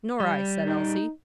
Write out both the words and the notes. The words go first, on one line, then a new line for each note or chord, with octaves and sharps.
"Nor I," said Elsie.
G3
D#4